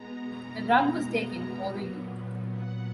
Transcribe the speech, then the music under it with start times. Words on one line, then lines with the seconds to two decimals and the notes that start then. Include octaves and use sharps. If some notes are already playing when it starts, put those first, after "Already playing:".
The drug was taken orally.
Already playing: B2 G#3 B3 A#5
1.61 A#2 F#3 B3
2.51 F#5